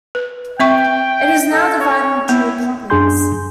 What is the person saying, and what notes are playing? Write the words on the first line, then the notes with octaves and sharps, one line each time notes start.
It is now divided into apartments.
B4
C4 E5 G5 C#6
A4
C#5
B3 E4
F#2 D4 G#4 G#5 C6 G6